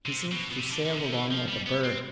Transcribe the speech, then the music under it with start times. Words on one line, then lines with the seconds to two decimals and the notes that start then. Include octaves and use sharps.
He seemed to sail along like a bird.
0.06 C3
0.32 B2
0.51 B2
0.59 C3
0.72 D3
0.85 D3
0.93 B2
1.00 C3
1.13 E3
1.31 F3
1.48 G3
1.67 B3
1.84 C4